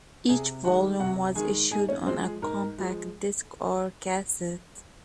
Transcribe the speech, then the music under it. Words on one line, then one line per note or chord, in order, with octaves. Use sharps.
Each volume was issued on a compact disc or cassette.
C3 G#4 G#5
D#3 G#3 F#4 F#5
C3 F#4 F#5
D#3 G#3 G#4 G#5
G#2 G#4 G#5
C#4 C#5
F3 G#3 C4 C5
G#4
G#2 A#4
F3 G#3